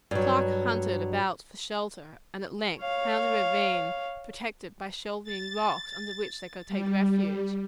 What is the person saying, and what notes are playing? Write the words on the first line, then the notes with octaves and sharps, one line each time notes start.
Clark hunted about for shelter, and at length found a ravine protected by shelving rocks under which they could take refuge.
G2 F#3
C#5 F5
A6
G3